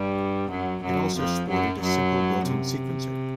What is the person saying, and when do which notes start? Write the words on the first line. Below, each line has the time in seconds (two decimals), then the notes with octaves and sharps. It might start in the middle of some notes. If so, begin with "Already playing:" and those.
It also sported a simple built in sequencer.
Already playing: G2 G3
0.51 F#2 F#3
0.84 F#2 F#3
1.17 F2 F3
1.49 F#2 F#3
1.82 F#2 F#3
2.47 C3